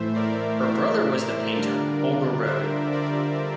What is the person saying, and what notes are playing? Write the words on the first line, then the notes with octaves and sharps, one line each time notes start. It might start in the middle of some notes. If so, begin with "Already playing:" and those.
Her brother was the painter Holger Roed.
Already playing: A2 E3 A3 C5 E5
A#4 D5
C5 E5
D3 G3 D4 F4 A#4 D5
C5 E5
A#4 D5